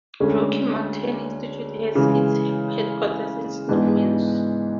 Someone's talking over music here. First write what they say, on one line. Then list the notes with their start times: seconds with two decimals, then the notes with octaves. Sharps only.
Rocky Mountain Institute has its headquarters in Snowmass.
0.20 D2 D3 G#3 C#4 G#4
1.95 C#3 E3 G#3
3.69 G#2 E3 B3 D4